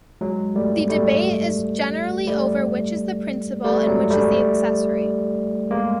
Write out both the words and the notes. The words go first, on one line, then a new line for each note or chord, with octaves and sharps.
The debate is generally over which is the principal and which is the accessory.
F#3 G#3
G3 A3
G3 A3
G3 A3
G3 A3
F#3 G#3
G3 A3
G#3 A#3